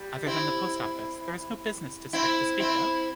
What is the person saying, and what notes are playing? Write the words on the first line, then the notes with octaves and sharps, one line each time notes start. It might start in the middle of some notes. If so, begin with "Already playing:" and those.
Other than the post office, there is no business district to speak of.
Already playing: G3
C4 E4
C4 E4
C4 E4